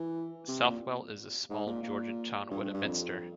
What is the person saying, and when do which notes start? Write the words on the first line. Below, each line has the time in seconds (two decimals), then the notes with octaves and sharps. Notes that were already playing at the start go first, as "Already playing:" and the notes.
Southwell is a small Georgian town with a Minster.
Already playing: E3
0.48 C3
0.64 A#2
1.50 G#2
1.66 A#2
1.83 A#2
2.51 G2
2.62 G2
2.74 G2
2.85 F2